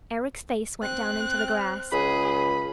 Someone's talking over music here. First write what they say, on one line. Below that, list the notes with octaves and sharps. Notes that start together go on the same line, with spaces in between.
Eric's face went down into the grass.
C4 F#6
C#2 G#4 B5